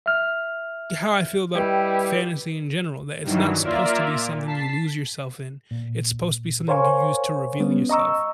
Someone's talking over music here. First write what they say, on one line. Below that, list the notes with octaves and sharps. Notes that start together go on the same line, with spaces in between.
how I feel about fantasy in general, that it's not supposed to be something you lose yourself in, it's supposed to be something you use to reveal yourself.
E5 F6
G3 E4 G4 B4 D#5 G5
G2 D#3 E3 F#3
A#3 F4 A#4 D5 E5
A#2
A5 B6 C7
A#2
A#4 C5 C#5 F5 G#5 C#6
G3 B3 C#4
D#5 A#5 C#6 E6